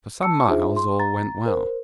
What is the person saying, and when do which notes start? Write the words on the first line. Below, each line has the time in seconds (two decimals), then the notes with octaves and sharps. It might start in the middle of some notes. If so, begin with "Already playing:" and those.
For some miles all went well.
0.23 A5 E6 C#7
0.48 D4 D#4 F4 G#4 C5 E5
0.77 C6
0.99 A#5 A6
1.46 A#4 C5